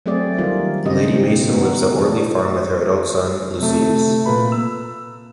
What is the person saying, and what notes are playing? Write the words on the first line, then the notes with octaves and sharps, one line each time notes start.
Lady Mason lives at Orley Farm with her adult son, Lucius.
F#3 A3 C4 G#4 D5
D#3 G3 A#3 F4
C#3 G3 C4 G4 D#5
B2
B3 D#4 F#4
E3 D4
C3 A3
A#2 F4 B4 B5
E6